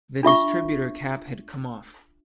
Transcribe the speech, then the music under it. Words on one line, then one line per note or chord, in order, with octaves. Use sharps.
The distributor cap had come off.
D4 F4 E5 C#6